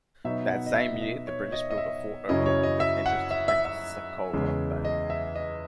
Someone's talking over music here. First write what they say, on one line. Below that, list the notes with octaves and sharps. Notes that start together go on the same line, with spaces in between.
That same year, the British built a fort overlooking the entrance to Pensacola Bay.
B2 F#3 B3 D#4 E5
F#5
D#5
E5
D#5
E5
C#5
D#5
D#5
E5
F#2 C#3 F#3 C#4 E4 D#5
C#5
D#5
E5
F#5
E5
E5
E5
E2 C#3 G#3
D#5
E5
D#5